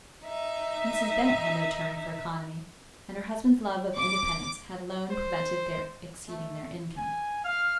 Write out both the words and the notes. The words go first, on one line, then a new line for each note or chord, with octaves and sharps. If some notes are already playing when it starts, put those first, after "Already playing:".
Mrs. Bennet had no turn for economy, and her husband's love of independence had alone prevented their exceeding their income.
D#4 E5
D6
C5
A3
G#5
F5 F6